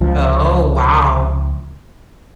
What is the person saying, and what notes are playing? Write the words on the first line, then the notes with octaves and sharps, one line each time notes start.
Oh, wow.
C#2 F3